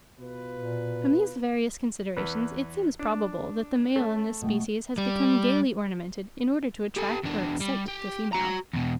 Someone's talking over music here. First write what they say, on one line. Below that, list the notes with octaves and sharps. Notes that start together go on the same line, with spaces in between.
From these various considerations it seems probable that the male in this species has become gaily ornamented in order to attract or excite the female.
B2 F4 B4
A#2
E2 B4
D4
A3 C#4
B2 A3 G5
G3
G4 A4
E2 D4
G3
G4
F#4 A#5
E2 B2